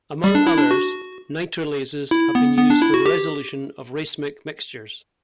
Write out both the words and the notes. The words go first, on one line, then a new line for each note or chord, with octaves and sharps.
Among others, nitrilases have been used for the resolution of racemic mixtures.
G3
D4
E4
D4
F#4
E4
B3
B3
D4
E4
F#4
G4